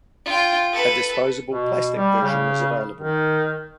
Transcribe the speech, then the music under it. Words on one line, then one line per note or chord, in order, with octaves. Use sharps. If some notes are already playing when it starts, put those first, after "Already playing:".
A disposable plastic version is available.
F4 G5
A4 B4
B2
G3
C#3
D#3